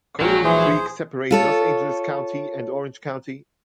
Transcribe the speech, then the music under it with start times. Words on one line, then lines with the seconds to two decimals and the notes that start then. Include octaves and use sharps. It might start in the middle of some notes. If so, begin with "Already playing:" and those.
Coyote Creek separates Los Angeles County and Orange County.
0.20 A#1 F#3 G#3 A#4 G5
0.44 E3 G#4 C5
1.31 F4 A4 C#5